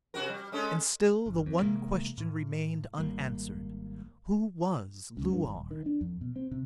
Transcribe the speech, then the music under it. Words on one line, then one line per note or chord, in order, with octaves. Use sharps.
And still the one question remained unanswered: Who was Luar?
C3 F#4 A#4
G3
G#3 C#4 A4
G1
F2
C3 E3 G#3 A#3
A2
G#1 G3 A#3
C#2
G2
G#1
D#1
D#3
D4
F2
B2
C4
C3